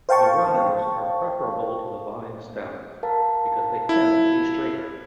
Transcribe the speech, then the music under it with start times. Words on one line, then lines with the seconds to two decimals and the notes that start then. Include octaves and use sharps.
The runners are preferable to the vine's stems because they tend to be straighter.
0.09 C5 F5 G5 A5 C#6
3.03 A#4 F5 A5
3.89 E4